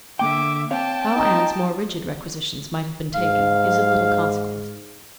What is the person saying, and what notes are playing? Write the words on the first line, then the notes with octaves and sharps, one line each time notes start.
How Anne's more rigid requisitions might have been taken is of little consequence.
D3 A#3 E5 G5 D6
C4 C#5 F5 G5 A5
D#4
G#2 F5